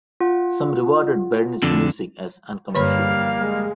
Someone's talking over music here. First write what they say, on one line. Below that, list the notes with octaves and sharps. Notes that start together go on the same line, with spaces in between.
Some regarded Berne's music as uncommercial.
F4 F#5
F2 D3
G2 D3 G3 A#3 C#5 F5 B5
G#3